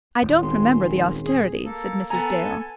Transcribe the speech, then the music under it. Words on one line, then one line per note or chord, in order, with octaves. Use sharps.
"I don't remember the austerity," said Mrs. Dale.
D#1
G#1 C6
G#4
A#3 A4
B3 A4 G#5 A#5